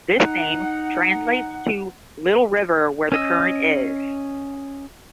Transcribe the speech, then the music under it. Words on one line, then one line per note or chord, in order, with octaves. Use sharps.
This name translates to the little "river where the current is".
D#4 F#5
C#4 D#5 E6